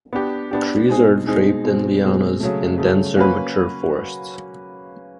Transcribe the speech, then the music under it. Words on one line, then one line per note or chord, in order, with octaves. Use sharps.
Trees are draped in lianas in denser, mature forests.
B3 D4 G4
B3 D4 G4
B2 G#3 C4 D#4 G#4
B2 G#3 C4 D#4 G#4
B2 G#3 C4
B2 G#3 C4
C#3 F#3 A3
C#3 F#3 A3
A#3 C#4 F#4 B4